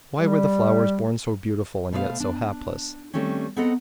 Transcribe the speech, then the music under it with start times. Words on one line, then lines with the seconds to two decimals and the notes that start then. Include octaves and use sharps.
Why were the flowers born so beautiful and yet so hapless?
0.19 G3
1.92 B2 A3 C5 D5 F5
2.20 D4
3.13 D#3 G3 A3 C4 C#4
3.56 B3 C4 A4 D#5 F#5 A#5